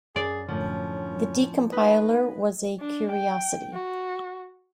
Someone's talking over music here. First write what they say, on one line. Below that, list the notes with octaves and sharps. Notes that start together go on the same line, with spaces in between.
The decompiler was a curiosity.
F#2 G#4 D5
F#2 A2 D3 F3 C#4
D#4 B4 D#5
D4
G5
F#4